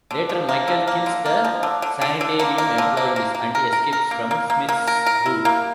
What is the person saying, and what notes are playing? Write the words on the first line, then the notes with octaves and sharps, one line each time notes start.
Later, Michael kills the sanitarium employees and escapes from Smith's Grove.
D3
F3
A#3
D3
A#3
D3
A#3
F3
D3
D3
D3
D3
A#3
A#3
D3
A#3
A#3
A#3
A#4
A#4
A#4
A#3
A#3
A#3
A#3
A#4
A#4
E4
A#3